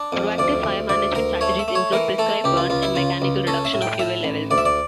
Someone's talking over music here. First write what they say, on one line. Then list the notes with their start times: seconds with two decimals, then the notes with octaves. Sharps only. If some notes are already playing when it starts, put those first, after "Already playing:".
Proactive fire management strategies include prescribed burns and mechanical reduction of fuel levels.
Already playing: D4
0.13 F2
0.38 D2 D5
0.64 D2
0.89 D2 D5
1.15 D2 A#4
1.41 A3 C#5
1.59 E5
1.68 A3
1.75 C#5
1.92 E3 A#4
2.18 A3 A4
2.44 C#2 G4
2.57 F4
2.70 C#2 F4
2.83 E4
2.95 C#3 F4
3.22 C#2
3.47 C#4 A4
3.65 E5
3.74 A2
3.82 G5
3.99 A2 E5
4.24 A1
4.51 D2 D5
4.58 E5
4.65 D5